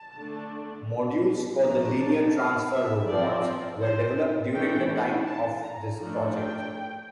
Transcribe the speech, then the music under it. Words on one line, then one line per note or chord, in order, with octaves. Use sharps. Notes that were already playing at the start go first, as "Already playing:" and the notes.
Modules for the linear transfer robots were developed during the time of this project.
Already playing: A5
D3 A3 D4
F3 A3 D4 A#5
A5
F5
E5
F3 C4 D5
C5
E3 A3 D4 G5
A5
A#5
F3 A3 D4
G5